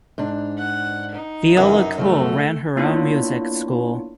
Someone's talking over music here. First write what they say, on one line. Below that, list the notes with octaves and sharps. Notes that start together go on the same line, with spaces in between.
Viola Cole ran her own music school.
G#2 D4
F#5
D#4
F#2 C#3 E3
C#3 F3 F#3 A3
A#3 B3 D4 E4 F4 C#5